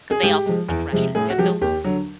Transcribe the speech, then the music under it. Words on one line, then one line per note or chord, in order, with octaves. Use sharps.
'cause they also speak Russian, and those
G#4
G#2 G4
F3 G#3
E2
C3 F3 G#3
A2 G#4
F#4
F3 G#3 G4
D#2 G4
D3 F#3